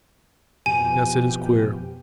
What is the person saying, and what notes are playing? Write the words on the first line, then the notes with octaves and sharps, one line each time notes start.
Yes, it is queer.
F2 B2 G4 G#5